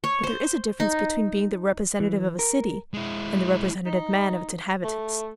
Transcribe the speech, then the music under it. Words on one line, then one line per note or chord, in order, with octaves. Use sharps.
But there is a difference between being the representative of a city and the representative man of its inhabitants.'
C#5
C5
D#4
E3
A#4
G#3 E4
D#4
A3